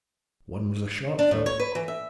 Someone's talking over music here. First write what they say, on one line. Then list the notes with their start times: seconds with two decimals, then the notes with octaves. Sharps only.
One was a short fellow.
1.19 D4
1.31 A2
1.46 C#5
1.60 B4
1.75 E3
1.88 E5